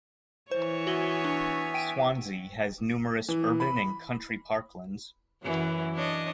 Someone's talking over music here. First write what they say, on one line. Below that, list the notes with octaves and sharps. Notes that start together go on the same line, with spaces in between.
Swansea has numerous urban and country parklands.
E3 C5 C#5
B3 F#4 E5 G#5 F#7 G7
D4
G5 D7 D#7
E3
B5
F#2 E3 F#3
D4 C#5 D#5